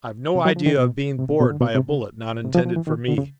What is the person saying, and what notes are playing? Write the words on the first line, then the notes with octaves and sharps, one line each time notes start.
I've no idea of being bored by a bullet not intended for me.
C3
F#3
F3
D#3
B2
C3
B2
B2
D3
B2
C3
C#3
C3
F3
F3
E3
D#3
D3
C#3